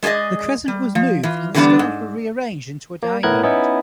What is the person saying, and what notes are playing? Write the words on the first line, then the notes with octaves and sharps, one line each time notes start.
The crescent was moved and the stars were rearranged into a diamond.
G#3 G#4 A4 D5 D#5
G3
F3
E3 F4
D3 E3 G3 B3 D4
G#2
A#3
A2 B3 E4 A#4 F#6 G#6
B3 C#4 D#4 E4